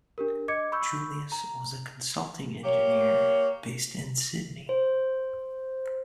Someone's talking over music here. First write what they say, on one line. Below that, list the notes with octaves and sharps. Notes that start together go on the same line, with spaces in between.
Julius was a consulting engineer, based in Sydney.
D4 G4 A#4
D#5 D6 G#6 C#7
B5 C#6 E6 G6
A#5
A#3 G4 C#5
C5